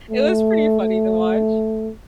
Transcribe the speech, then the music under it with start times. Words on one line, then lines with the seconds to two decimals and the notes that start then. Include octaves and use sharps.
Iit was pretty funny to watch.
0.10 A3
0.81 A3